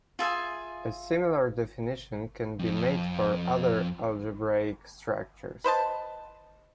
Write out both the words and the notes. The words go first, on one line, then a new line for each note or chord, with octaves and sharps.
A similar definition can be made for other algebraic structures.
F4 G#4 E5 G#5
F2
B4 C5 D#5 A5